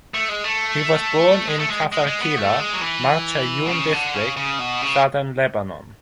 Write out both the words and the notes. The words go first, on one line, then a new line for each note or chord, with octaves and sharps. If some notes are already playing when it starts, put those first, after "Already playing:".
He was born in Kafarkila, Marjayoun district, southern Lebanon.
A3
G#3
A3
G#3
A3
G#3
G#3
G#3
B3
A3
G#3
F#3
E3
B2
C#3
D3
C#3
C#3
B2
C#3